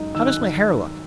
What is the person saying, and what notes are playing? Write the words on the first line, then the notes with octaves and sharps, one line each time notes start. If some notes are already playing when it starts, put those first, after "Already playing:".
How does my hair look?
Already playing: F#2 G#3 D#4
D#3 E6
F#6